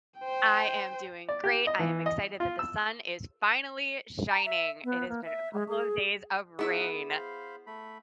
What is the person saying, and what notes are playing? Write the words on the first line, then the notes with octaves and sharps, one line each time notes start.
I am doing great. I am excited that the sun is finally shining. It has been a couple of days of rain.
C5 G5
D5
G4
D#5
E3
D#5
F4
E6
A#5
E5
B3
A#3
E5
G#3
G#4
B3 D#4 E4 G#4 B4 E5 F#5
C5 F5 B5
A3 B5